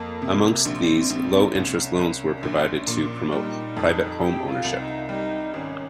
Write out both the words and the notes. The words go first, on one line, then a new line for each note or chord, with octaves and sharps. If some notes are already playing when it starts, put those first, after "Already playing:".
Amongst these, low interest loans were provided to promote private home ownership.
Already playing: F2 A#3
C3
A#1 C4
A#1
C2 C#4
C2
A#1
A#2
G3 D#4
F2
C4 G4
F4
C2
D#4
G3 D#4
G#1 C#4